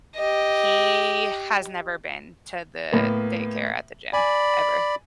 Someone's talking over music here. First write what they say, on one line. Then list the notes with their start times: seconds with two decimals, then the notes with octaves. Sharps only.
He has never been to the daycare at the gym ever.
0.17 G4 D#5
2.92 A2 A#3 B3
4.13 D5 G#5 B5